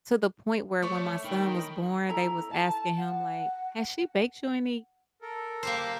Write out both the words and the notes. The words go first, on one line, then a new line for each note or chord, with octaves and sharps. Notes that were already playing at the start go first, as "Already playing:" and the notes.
to the point where when my son was born, they was asking him like, "Has she baked you any
A3 C#5 D5
D#3 G5 B5
E4 A4 A#5
A5
F#5
A4 A#4
A#3 G4 C5